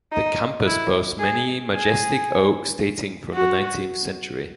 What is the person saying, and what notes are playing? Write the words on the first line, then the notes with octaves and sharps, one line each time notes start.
The campus boasts many majestic oaks dating from the nineteenth century.
D#4
E4
G#4
G#4
F#4